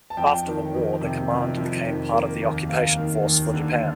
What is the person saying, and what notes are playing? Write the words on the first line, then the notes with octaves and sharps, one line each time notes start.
After the war the command became part of the occupation force for Japan.
A5
F2 G5
D#3
F2
C3
F2
F2
D#3
A#3
D#2
D#2 F5
D#3
D#2
D3